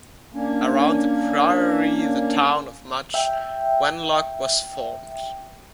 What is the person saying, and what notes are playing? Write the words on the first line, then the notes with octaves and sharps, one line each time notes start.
Around the Priory, the town of Much Wenlock was formed.
A#3 C#4 D4
E5 G5